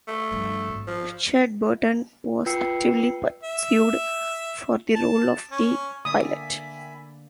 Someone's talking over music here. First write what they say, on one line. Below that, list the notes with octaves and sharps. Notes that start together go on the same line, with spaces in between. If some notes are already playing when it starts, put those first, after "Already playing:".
Richard Burton was actively pursued for the role of The Pilot.
A3
G2 F3
G#1
F3
F4 B4 G5 E6 C7 C#7
E5
A5
C#4
D3 A#3 D5 E5 G#5 B5 D#6